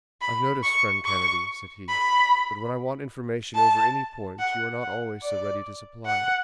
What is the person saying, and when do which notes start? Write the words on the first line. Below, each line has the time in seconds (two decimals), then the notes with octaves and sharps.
"I have noticed, friend Kennedy," said he, "that when I want information over any point you are not always so ready to supply it."
0.21 B5
0.64 C#6
1.05 C#6
1.89 B5
3.55 A5
4.39 F#5
4.81 F#5
5.22 D5
6.06 F#5